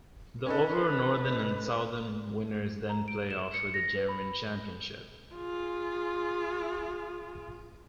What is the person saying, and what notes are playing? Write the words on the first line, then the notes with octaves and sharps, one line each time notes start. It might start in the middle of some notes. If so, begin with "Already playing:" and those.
The overall northern and southern winners then play off for the German Championship.
C#4 D#4 A4 B4
A#5
D7
E7
C#7
A#6
B4
B5
F4 G#4